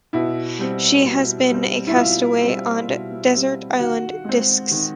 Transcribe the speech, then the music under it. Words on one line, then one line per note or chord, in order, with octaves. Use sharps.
She has been a castaway on "Desert Island Discs".
B2 E4
G3 C4
B2
G3 C4
E4
B2 F4
G3 C4
B2
G3 C4
D#3 F#4
G#3 C4
D#3